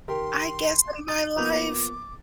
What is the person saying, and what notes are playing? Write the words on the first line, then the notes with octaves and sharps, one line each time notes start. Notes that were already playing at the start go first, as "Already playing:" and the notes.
I guess, in my life,
D#3 G4 A#4 C6
A6
F3 A#3 B3 D6